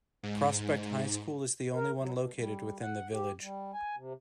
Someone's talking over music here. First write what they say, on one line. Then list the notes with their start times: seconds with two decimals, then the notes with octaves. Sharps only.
Prospect High School is the only one located within the village.
0.23 G#2
1.74 A#4
1.99 F#3
2.15 B2
2.36 G3
2.81 F#5
3.12 G4
3.41 G3
3.74 G#5
3.97 C3